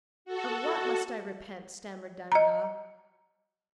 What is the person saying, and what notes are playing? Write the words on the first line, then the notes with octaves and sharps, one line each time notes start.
"Of what must I repent?" stammered Danglars.
F#4 A4
D#5 A#5